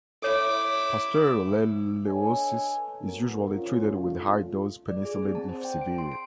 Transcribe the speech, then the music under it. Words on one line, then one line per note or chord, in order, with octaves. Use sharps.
Pasteurellosis is usually treated with high-dose penicillin if severe.
E4 A4 C#5 D6
D4 A4 B4 C#5 D#5 G#5
A#1 G#2 B3 C#4 F#4 A#4
C#4 F4
C2 D3 A3 F4
D5
G#4
C4
A5
C5
G5
D7
C6
D7